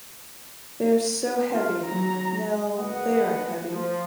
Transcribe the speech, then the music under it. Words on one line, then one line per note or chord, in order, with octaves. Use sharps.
They are so heavy. No, they aren't heavy.
F4
F#3 A#5
F#1 B4 D#5 F#5
F3